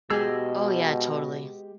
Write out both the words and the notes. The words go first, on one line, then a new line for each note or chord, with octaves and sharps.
Oh, yeah, totally.
B2 G#3 G4 G#4 D#5 E6